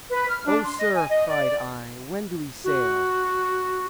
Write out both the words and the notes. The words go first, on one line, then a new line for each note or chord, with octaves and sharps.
"Oh, sir," cried I, "when do we sail?"
B4
F6
D4
C6
D#5
G#5
D#5
D5
F#4